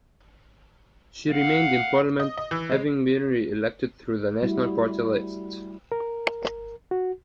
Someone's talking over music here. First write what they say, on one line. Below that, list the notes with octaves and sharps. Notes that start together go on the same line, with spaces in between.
She remained in Parliament, having been re-elected through the National Party list.
F5 F#5
D#5
D#5
E3
G#3
G3 A3 E4 F#4
A#4
F#4